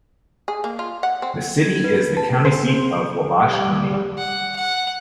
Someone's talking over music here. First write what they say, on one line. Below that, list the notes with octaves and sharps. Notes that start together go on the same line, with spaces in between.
The city is the county seat of Wabash County.
G#4
A#3
F4
F#5
C4
G#6
B4
A5
C#3 C5
G3
F#5
F#5